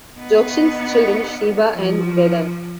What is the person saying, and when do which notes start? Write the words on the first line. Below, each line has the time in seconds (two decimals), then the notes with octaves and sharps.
Jokshan's children Sheba and Dedan.
0.19 B3 D#4
1.74 F3